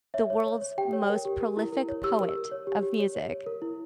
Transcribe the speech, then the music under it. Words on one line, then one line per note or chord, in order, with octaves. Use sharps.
the world's most prolific poet of music,
C#5 E5
C#5
C#5
C#5
G4 G5
C#5
A#4
G4
A#4
E4
A#4
C#5
G4 E6
A#4
A#4
C#5
G4
G4
C#5
C#5
C#5
A#4
E4